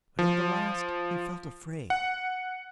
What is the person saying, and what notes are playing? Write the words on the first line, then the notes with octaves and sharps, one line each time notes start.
But at the last he felt afraid.
F3
F#5